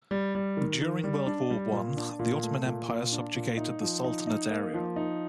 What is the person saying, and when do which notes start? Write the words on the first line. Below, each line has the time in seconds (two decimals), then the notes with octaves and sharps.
During World War One, the Ottoman Empire subjugated the Sultanate area.
0.11 G3
0.35 G3
0.57 D#3
0.81 D#3
1.04 G3
1.26 D4
1.50 G3
1.72 A#2
1.97 D4
2.19 A#2
2.43 A3
2.66 A#2
2.88 A#2
3.12 D4
3.35 A#2
3.57 D#4
3.81 F3
4.04 D#4
4.27 D#4
4.50 A#3
4.74 F3
4.96 D#4